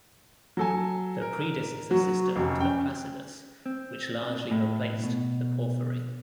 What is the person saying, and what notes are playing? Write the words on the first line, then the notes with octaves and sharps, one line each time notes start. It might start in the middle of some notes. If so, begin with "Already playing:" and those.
The predecessor system to the Placidus, which largely replaced the Porphyry.
F#3 A4 G#5
A#4
F#3 F#4
F1 F#2
C#4 G5
C4
A2
B2